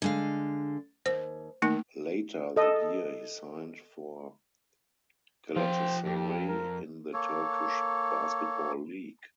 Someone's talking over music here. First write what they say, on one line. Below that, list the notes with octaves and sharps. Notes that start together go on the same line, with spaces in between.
Later that year he signed for Galatasaray in the Turkish Basketball League.
D3 G#3 F5
D#2 C5
D#3 A3 A#3 D#4
A4 D#5
F3 F4 G4 C5
F2 G4
A#4
A#3 A4 C#5